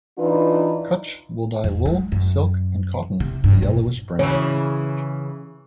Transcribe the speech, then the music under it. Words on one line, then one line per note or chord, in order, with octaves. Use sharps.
Cutch will dye wool, silk, and cotton a yellowish-brown.
E3 D4 D#4 F4 B4
F2
G#3
F#2
C3
G2
B2
C#3 E3 C#5